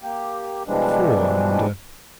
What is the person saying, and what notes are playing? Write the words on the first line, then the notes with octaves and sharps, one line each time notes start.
What for, I wonder?
A#3 G4
B2 E3 F3 G3 G#3 D4